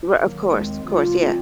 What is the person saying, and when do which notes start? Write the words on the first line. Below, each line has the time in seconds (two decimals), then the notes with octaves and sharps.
Ri of course, of course, yeah.
0.14 D#3 F#3 A#3 D#4 A#4
0.49 D#2 D#3 G#3 C4
0.84 C#3 F#3 A#3 F4
1.18 A#2 F3 C4 F4